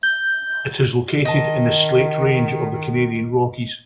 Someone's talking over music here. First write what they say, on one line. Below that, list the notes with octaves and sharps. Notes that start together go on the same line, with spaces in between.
It is located in the Slate Range of the Canadian Rockies.
G6
D#3 D#5 A5